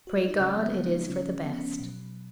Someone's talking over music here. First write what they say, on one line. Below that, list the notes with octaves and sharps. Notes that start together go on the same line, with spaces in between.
"Pray God it is for the best."
F#4
F4
D#4
C#3 F#3 C#4
G#3
A#3
B3
D#4
C#3 F3 C#4
B3
C#4
B3
B2 F#3